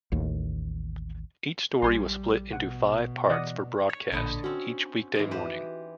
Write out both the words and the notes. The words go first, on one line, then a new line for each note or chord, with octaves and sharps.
Each story was split into five parts for broadcast each weekday morning.
A1 D#2
A#1 G3 G#5 C6
B2 F#5
E3 D5 D#5 F#5
C#5
A1 A#2 D3 C#5 D#5 B5
C4 C#4 F#4
G#2 E3
G4 B4 C5